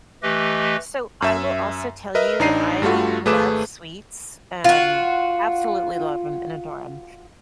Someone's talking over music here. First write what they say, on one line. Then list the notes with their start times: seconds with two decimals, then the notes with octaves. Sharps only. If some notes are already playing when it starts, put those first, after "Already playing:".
So, I will also tell you that I love sweets, um, absolutely love 'em and adore 'em,
0.23 E3 A3 G4 B4 D#5
1.22 F#2 E5 E7
2.15 A#4 B4 D#5 E5
2.39 A1 D4 D#4 A#5 C7 D#7
2.82 G2 G3 A3 F4 F#4
3.25 G#1 A3 G#4 B4 D6 E7
4.64 F4 F#4